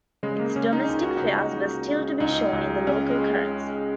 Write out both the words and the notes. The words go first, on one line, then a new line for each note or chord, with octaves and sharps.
Its domestic fares were still to be shown in the local currency.
C#3 G#3
A#3
C#3 C#4
D#4
C#2 D#4
F#4
C#2 D#4
C#3
C#3
C#2 D#4
C#2
C#3 C#4
G#3